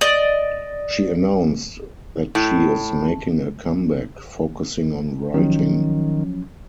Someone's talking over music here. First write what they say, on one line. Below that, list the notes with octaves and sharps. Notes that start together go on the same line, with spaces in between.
She announced that she is making a comeback, focusing on writing.
D5 D#5
A2
D#3 F3 F#3 C#4